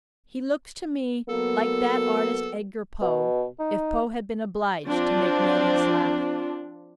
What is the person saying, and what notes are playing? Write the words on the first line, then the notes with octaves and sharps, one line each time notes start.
He looks to me like that artist Edgar Poe, if Poe had been obliged to make millions laugh.
F#3 A#3 B3 A4
B2
D#4
F3 C4 D4 F4